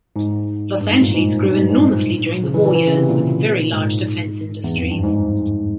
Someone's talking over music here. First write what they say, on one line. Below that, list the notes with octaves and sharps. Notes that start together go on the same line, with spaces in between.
Los Angeles grew enormously during the war years, with very large defense industries.
G#2
G2
G#2
A#2
G#2
G2
G#2
G2
G#2
A#2
C#3
E3
E3
E3
C#3
C3
A#2
G#2
E2
F2
G2
G#2